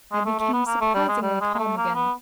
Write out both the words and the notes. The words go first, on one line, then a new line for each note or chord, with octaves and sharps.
I became surprisingly calm again.
G#3
A3
A3
B3
A#3
A3
G3
G#3
G3
G#3
G#3
A3
A#3
B3